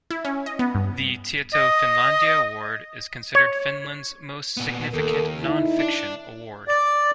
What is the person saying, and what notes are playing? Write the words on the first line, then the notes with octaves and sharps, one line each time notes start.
The Tieto-Finlandia Award is considered Finland's most significant non-fiction award.
E4
C#4
D#5
B3
G2
D#5
C#5
A#2 B3
D#2 A4 A#4
D#4 E4
D4
D5